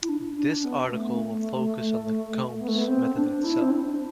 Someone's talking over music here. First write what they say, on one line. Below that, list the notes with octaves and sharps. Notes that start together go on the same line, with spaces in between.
This article will focus on the Combs method itself.
E4
D4
D4
B3
A3
B3
A3
B3
C4
D4
E4
C4
D4